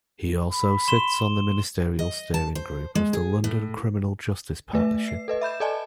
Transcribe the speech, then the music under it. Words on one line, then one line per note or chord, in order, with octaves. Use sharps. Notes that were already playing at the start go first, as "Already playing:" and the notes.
He also sits on the Ministerial Steering Group of the London Criminal Justice Partnership.
B5
C6 E7 G7
D#5
A5
C5
G#3
G#4
A2
A3 B4 E5
C7
A4 B4 D#5
E5 B5 G6 E7
A4 D5 D#5 G#5 A5